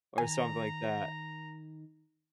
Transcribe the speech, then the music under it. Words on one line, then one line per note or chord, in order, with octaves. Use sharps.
or something like that.
D#3 G#5 A#5